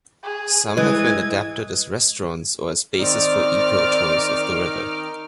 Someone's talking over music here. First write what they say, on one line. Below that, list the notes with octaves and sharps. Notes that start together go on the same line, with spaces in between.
Some have been adapted as restaurants or as bases for eco-tours of the river.
G#4
E3 G3 G#3 D#5 G#6
D#3 C4 D#4 D5 D6 F6